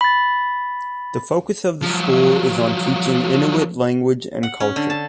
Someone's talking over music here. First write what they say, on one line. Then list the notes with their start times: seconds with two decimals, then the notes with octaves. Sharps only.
The focus of the school is on teaching Inuit language and culture.
0.01 B5 A6
1.82 F3 F#3
4.43 F#5
4.60 C#4
4.76 D3
4.90 A5